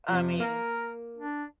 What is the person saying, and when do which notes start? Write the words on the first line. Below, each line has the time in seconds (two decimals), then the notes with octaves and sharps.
I mean
0.09 F2 C3 F3
0.40 A#3 A#4
1.18 D4